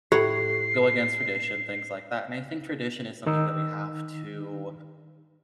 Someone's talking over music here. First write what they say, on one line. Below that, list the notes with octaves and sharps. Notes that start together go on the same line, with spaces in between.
go against tradition, things like that, and I think tradition is something that we have to
A2 G4 C#5 F#5 C7
D#3 D#4 E6